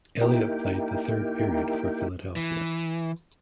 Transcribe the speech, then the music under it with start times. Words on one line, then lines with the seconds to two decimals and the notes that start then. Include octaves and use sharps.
Elliott played the third period for Philadelphia.
0.21 A#3 D#4 E4 G4 A#4 G5
2.36 E3